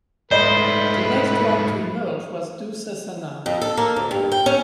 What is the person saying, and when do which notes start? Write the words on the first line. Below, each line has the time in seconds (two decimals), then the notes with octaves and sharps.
The next one to emerge was Dussasana.
0.31 G#2 A3 B4 C5 D5 D#5
3.46 F2
3.61 A4
3.77 A#3
3.96 D2
4.11 G2
4.32 G5
4.46 C#4